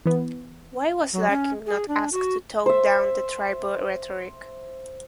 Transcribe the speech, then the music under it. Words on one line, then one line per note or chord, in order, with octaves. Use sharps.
Why was Larkin not asked to tone down the tribal rhetoric?
E3 B3
F#3
C#4
G#4
D4
F#4
C5 E5